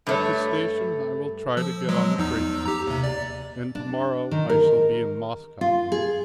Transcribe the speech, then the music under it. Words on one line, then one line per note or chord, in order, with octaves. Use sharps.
"At the station I will try to get on a freight train, and to-morrow I shall be in Moscow."
G2 A3 C#5
F3 E6
F3 F#3 G#3
E2 D#4 E6
G4 A#5
D#2 C3
D5
D4
D#3
A#4
F4
G#4